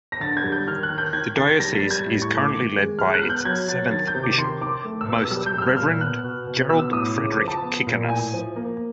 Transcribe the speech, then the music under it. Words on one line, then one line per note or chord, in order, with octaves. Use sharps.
The diocese is currently led by its seventh bishop, Most Reverend Gerald Frederick Kicanas.
A#6
D3 A6
G#6
G3
G6
D#3 F6
F#6
D#3
G6
D#3 G#6
D#3 A6
G3 A#6
A6
G3
G#6
A2
C#6
A3
D6
D#3
G#3
G#3 F6
F#6
B3
G6
F#3 G#6
F#3 A6
D#3 A6
G6
C3
D6
D#3 C6
D#3 D6
A3
E6
B2
E6
G3 E6
G6
G3 E6
F6
A#2 F6
B3 F#6
B2
B2
B3 E6
A2 D#6
C#3 D6
D6
F3
A5
B3
A#2
A2 G#5
F3
A#3